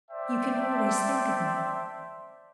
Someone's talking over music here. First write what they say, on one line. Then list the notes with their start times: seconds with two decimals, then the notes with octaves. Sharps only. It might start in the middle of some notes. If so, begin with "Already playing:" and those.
"You can always think of me."
0.11 C5 D5 E5 G5 A5 C6